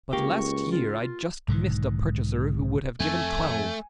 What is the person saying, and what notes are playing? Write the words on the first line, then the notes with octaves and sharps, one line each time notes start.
But last year I just missed a purchaser who would have given twelve.
C#2 A#3 G4 C#6
F4
B1 G#2 D3 D#3
F2 A3 C4 G#5